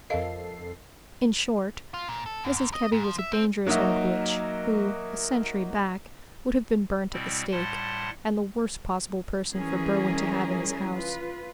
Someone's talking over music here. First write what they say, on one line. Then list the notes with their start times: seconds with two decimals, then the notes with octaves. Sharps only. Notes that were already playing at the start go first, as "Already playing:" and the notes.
In short, Mrs. Kebby was a dangerous old witch, who, a century back, would have been burnt at the stake; and the worst possible person for Berwin to have in his house.
0.10 F2 A4 A#4 D#5 F5 C7
1.94 F4
2.09 A#2
2.26 A4
2.44 F#2
2.56 F#2
2.74 D#5
2.92 G#2
3.04 F3
3.19 E5
3.33 C4
3.66 F#3 A#3 D#4 F#4 E5
7.13 B2 G3 C4 E4
7.51 A2 G3 F#5 A5 C6 A#6
9.54 E3 G3 C#4 E4 G#4 A#4
10.91 F4 B4